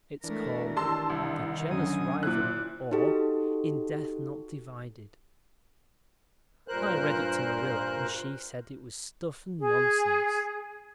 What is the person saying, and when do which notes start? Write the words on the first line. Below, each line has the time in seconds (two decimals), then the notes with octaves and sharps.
It's called 'The Jealous Rival; or In Death Not Divided.' I read it to Marilla and she said it was stuff and nonsense.
0.24 E3 A3 D4 A#4
0.77 D#3 G4 A5 C6 E6
1.10 C2
1.71 F#2 D3 G#5 D#6
2.23 A#2 E4 C5 F#6
2.91 D#4 F#4 G4 A4
6.68 G2 A#2 A#4 C5 F#6
9.60 G#4